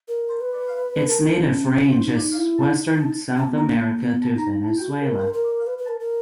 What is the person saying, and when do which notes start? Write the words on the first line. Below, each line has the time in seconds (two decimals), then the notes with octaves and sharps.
Its native range is western South America to Venezuela.
0.08 A#4
0.40 B4
1.06 A#4
1.39 C#4
2.05 D#4
2.21 D#4
2.38 E4
2.71 D#4
3.37 C#4
3.48 B3
3.59 A#3
4.02 B3
4.36 D#4
4.68 E4
4.80 F#4
4.90 G#4
5.01 A#4
5.34 A#4
5.67 B4
5.78 B4
5.88 A#4
6.00 A#4